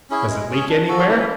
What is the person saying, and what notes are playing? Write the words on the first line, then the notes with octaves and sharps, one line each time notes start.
"Does it leak anywhere?"
C#4 E4 G#4
G#3
C#4 G#4
D4
F#4 A4
F#3
E3 C#4